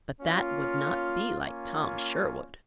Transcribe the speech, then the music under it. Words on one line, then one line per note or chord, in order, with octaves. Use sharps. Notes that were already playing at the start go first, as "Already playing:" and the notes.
But that would not be like Tom Sherwood!
A#3 C#4 F4
A#3 C#4 F4